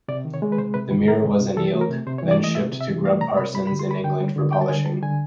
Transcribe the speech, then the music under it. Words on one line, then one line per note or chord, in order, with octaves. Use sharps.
The mirror was annealed, then shipped to Grubb-Parsons in England for polishing.
C3 D5
D#3
C#5
G#3
B4
C3 C5
C3 B4
D#3 B4
G#3 A#4
C3
C3
E3 A4
A3
A#4
C3
C3 C5
C#5
E3
D5
A3 D#5
C3 E5
C3
E5
E3
A3 F5
C3 A#5
C3 B5
G3 B5
B5
D3
C6
G3 B5
D3 G5
G3
D3
G3 G5
A5
D3 G#5
G3 A5
D3 G#5